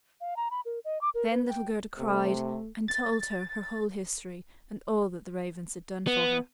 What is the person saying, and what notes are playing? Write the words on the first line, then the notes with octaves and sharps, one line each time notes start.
Then little Gerda cried, and told her her whole history, and all that the Ravens had done for her.
F5
A#5
B5
A#4
D#5
D6
A#4
B4
G5
C3 A3
A6
B3